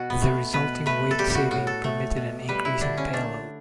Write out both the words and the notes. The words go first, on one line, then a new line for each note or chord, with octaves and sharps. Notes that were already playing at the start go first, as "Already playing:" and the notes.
The resulting weight saving permitted an increase in payload.
Already playing: B2 F#4
B3
A3
B2 B4
A3 B4
A4
G3 G4
F#4 G4
A2 F#4
A4
A3
B2
G3 B4
E4
D3 D4
C#4
A3 D4